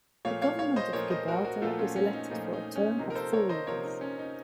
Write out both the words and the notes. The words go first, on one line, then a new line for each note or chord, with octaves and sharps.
The Government of Gibraltar is elected for a term of four years.
A#2 F3 A3 C#5 F5
C#5 F5
C#5 F5
C5 D#5
A#2 F3 A3 A#4 C#5
C5 D#5
F#4 A#4
F#4 A#4
A#2 F3 A3 F4 A4
C#4 F4
C#4
D#4
A#2 F3 A3 D#4
D#4
C#4
C3 F3 A#3 D#4
A#4
A4 C5
A#4 C#5
C5 D#5
C3 F3 A#3 A#4 C#5
D#4
C#4
D#4